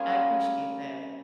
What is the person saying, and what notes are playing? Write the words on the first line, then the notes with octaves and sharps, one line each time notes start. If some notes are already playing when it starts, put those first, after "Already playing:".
I appreciate that.
Already playing: G3 A#3 C#4 F4 G#4